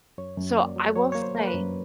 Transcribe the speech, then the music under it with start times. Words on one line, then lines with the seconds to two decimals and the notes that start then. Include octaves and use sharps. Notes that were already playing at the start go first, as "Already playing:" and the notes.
So, I will say
0.18 F#2 C#5
0.38 F#2
0.57 A#3 D5
0.76 F#3
0.95 F#3 C#5
1.12 A#3 C#5
1.22 C5
1.35 A#3
1.43 A#4
1.47 B4
1.54 F#2